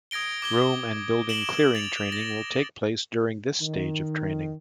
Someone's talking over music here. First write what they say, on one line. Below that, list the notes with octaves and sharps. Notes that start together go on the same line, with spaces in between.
Room and building clearing training will take place during this stage of training.
D#6 G#6 A#6 D7 G7
D6 G#6 G7
D7 E7 F#7 G7
A6 F7
A#6
D#3